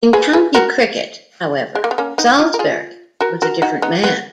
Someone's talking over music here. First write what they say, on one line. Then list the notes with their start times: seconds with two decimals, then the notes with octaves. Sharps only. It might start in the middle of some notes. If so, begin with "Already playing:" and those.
In county cricket, however, Salisbury was a different man.
0.13 G#4 B4
0.33 G#4 B4
0.55 F#4 A#4
1.75 G#3
1.84 A#3
1.91 B3
1.98 A#3 C#4
2.18 B3 D#4
2.39 C#4 F4
2.54 A#4
2.59 F4 G#4
3.21 F#4 A#4
3.42 F#4 A#4
3.62 D#4 F#4
3.82 B3 D#4
4.04 B3